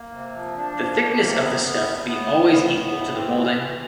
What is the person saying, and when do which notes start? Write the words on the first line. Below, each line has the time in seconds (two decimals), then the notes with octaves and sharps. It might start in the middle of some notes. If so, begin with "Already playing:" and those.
The thickness of the stuff be always equal to the moulding.
Already playing: A#3
0.12 C3
0.34 F3
0.56 D4
0.77 F3
0.99 A#3
1.20 C3
1.41 B3
1.63 B3
1.84 A2
2.06 B3
2.27 A2
2.49 B3
2.70 B3
2.91 A2
3.13 C4
3.34 E3
3.55 E3